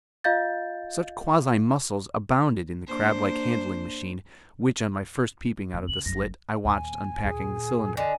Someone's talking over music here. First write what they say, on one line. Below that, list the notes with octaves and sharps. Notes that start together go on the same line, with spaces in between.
Such quasi-muscles abounded in the crablike handling-machine which, on my first peeping out of the slit, I watched unpacking the cylinder.
F4 D#5 F5 G6 A6
A#3 D4 C5
F2 A#3
C#3 F#7
F#1 F#2 A#6
D#2 A#2 G#5
D#2 A#2 G#4
D3 D#5 G#5